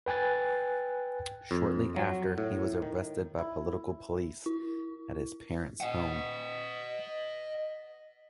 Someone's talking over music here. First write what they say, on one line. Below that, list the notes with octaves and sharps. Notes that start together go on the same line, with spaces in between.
Shortly after, he was arrested by political police at his parents' home.
B4 G5 G#5 F#6 A6
F2
F#3
A2
D#3
E4
E4
D#5 F#5